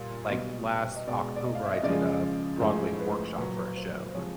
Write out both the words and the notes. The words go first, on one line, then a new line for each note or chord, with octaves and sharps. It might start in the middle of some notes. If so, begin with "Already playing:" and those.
Like, last October I did a Broadway workshop for a show,
Already playing: A#2 G3
B2 G3 D#5
D#5
B2 G#3 D5
D5
D#5
F5
E5
D#5
C#3 F3 G#3 D5
A2 F3 G#3 C5
B4
A#2 F#3 B4
B4
C5
C5
C3 F3 G#3 C#5